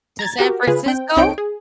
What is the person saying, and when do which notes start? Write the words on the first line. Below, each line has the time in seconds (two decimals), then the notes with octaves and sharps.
To San Francisco?
0.19 A#5 G#6 A6
0.39 F#4 G4 A#4
0.67 C#3 F4 G#4 B4
0.86 C4 G5
1.16 C2 C4 D#4 C#5 G5 D7
1.38 G#4